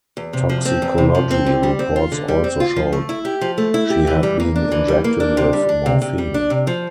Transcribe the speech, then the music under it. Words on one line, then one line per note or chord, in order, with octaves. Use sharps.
Toxicology reports also showed she had been injected with morphine.
E2
C3
F3
C4
E2
C3
F3
C4
D3
G3
C4
F4
D3
G3
C4
F4
F3
A3
E4
G4
F3
A3
E4
G4
E3
G3
A#3
D4
E3
G3
A#3
D4
C3
G3
D4
C3
C3
G3
D4
C3
F3